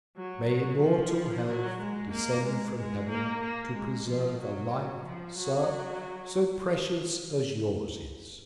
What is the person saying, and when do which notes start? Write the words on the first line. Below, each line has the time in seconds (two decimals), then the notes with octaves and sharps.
May immortal Health descend from Heaven to preserve a Life, Sir, so precious as yours is.
0.16 F#3
0.49 F#3
0.81 F3
1.47 F#3
1.80 G#3
2.11 A#3
2.44 G#3
2.76 G#3
3.09 A#3
3.41 A#3
3.74 G#3
4.06 F3
4.40 F#3
5.05 F3
5.37 F#3